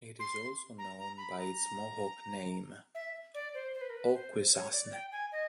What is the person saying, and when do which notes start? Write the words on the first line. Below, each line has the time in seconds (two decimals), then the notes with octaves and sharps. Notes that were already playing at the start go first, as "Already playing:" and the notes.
It is also known by its Mohawk name, Akwesasne.
0.19 C6
0.78 A#5
0.98 A#5
1.17 B5
1.37 A#5
2.95 E5
3.34 D5
3.54 C5
3.74 C5
3.81 B4
3.90 A#4
3.97 B4
4.13 C5
4.53 C#5
4.73 D5
4.93 G5
5.12 G#5
5.32 D#5